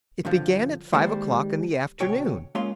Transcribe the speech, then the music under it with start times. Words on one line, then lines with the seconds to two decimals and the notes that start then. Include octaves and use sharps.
It began at five o'clock in the afternoon.
0.25 G2 D3 F3
0.93 D#3 G3 G#3 A#3 C5
2.00 D2 B2 C#5 G5
2.55 G#3 A#3 C#4 F4 F5 C6